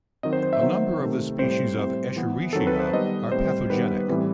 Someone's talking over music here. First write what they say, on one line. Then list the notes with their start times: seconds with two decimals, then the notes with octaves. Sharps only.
A number of the species of "Escherichia" are pathogenic.
0.23 D#3 F#3 C4 D#5
0.33 C5
0.43 C5
0.53 E5
0.61 D#3 F#3 B3 C5
1.00 C3 D#3 A3
1.39 A2 G3 C4 C5
1.78 A2 G3 C4
2.16 E3 B3
2.53 D#3 F#3 C4 A4
2.67 B4
2.80 C5
2.93 D#3 G3 B3 D#5
3.31 A2 G3 C4 C5
3.70 D#3 G3 B3 B4
4.08 A2 E3 G3 C4